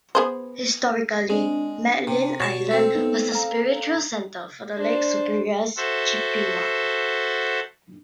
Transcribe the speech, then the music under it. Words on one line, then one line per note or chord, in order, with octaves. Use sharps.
Historically, Madeline Island was a spiritual center for the Lake Superior Chippewa.
B3 G#4 C5
G#3 C4 D4
C3
B2 F#4 C#5 A5 C#6
C4 A4
A3 B3 D#4
F5 A#5
D4 C5
F#4 A4 C5 E5